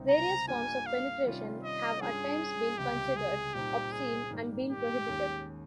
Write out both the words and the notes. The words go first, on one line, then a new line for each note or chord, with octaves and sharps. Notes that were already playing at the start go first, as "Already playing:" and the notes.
Various forms of penetration have at times been considered obscene and been prohibited.
Already playing: C#2 C3 G3 C4 D#4
A#5
G2 G3 A#3 F4 G#5
F5
C3 D#3 G3 C#4 F4
D#5
G2 G3 C#4 F4 G#4
C#2 C3 G3 G4
G#4
A#2 G3 C4 D#4 G4
G#4
G#2 D#3 G3 A#3
G4
D#2 D#3 G#3 C#4